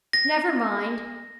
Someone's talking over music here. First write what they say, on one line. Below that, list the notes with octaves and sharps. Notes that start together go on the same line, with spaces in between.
Never mind!
A#6